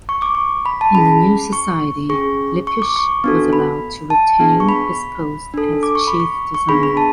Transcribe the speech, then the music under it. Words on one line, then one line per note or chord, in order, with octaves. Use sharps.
In the new society, Lippisch was allowed to retain his post as chief designer.
C#6
D6
C#6
B5
A5
C#4 G#4 B5
C#6
C#4 G#4 C#6
C#6
D6
C#6
B3 D4 F#4 A4
B5
A5
B3 D4 G#4
C#6
B5
D4 A4
D6
C#6
B5
C#6
C#6
B3 D4 G#4 B5
B5
A5